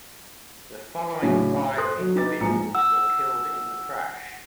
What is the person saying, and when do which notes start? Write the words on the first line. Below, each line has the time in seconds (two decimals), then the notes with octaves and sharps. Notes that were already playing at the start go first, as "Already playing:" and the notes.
The following five individuals were killed in the crash.
1.22 A2 C#3 F#3 C#4 D4
1.52 C#5
1.77 A4 C5 C6 D#6 F#6
1.99 F#3
2.16 D#4 B4 D6 A6
2.41 A#1 G#2 A#5 C#7
2.75 F#5 E6